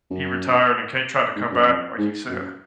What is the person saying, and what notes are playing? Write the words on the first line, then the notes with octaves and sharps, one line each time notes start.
he retired, and Kade tried to come back like you said.
F#2
G#2
F#2
F2
G#2
F#2